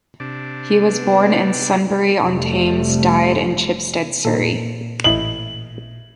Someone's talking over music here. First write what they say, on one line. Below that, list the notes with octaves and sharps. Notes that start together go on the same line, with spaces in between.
He was born in Sunbury-on-Thames; died in Chipstead, Surrey.
C3 D4
B3
F1 C3 F3 G3 A3
A#2 D#4 A4
A1 E4 D#5 F#7